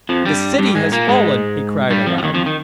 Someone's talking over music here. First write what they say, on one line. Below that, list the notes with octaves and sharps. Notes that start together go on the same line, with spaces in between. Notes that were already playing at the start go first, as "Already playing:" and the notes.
"The city has fallen!" he cried aloud.
F2 F3
G2 G3
G2 G3
G#2 G#3
A#2 A#3
G#2 G#3
G2 G3
F2 F3
F3
D#2 D#3
F2 F3
D#3